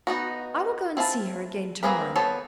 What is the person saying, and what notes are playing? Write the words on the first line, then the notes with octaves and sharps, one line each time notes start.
I will go and see her again to-morrow.
B3 D#4 F#4
C4 E4 F4 A5
A#3 C4 G#4 A#4 B4
B3 A4 C5 C#5 A5